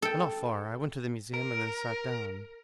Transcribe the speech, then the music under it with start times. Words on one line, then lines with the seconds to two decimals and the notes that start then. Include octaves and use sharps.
But not far; I went to the Museum and then sat down.
0.02 A4 G5
1.34 A#4